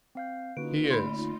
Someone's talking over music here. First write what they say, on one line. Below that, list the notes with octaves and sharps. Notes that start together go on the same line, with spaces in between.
"He is."
C4 F5 G6
D3 A#3 C#4 D#4 F4 F#4 B4 D7
A3 C#5 B5 C6